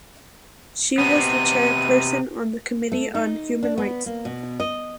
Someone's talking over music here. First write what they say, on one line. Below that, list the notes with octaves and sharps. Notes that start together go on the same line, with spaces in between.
She was the Chairperson on the Committee on Human Rights.
C3 B3 D#7
A3
D#4
D4
B3
A#3
B2
D#5